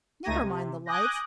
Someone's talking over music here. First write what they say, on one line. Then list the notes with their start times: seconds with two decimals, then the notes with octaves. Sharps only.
Never mind the lights.
0.23 C#2 A3 D#4 G#6 A#6 D#7
0.42 C3
0.86 G#5 D6 D#6 F#6 G6 A#6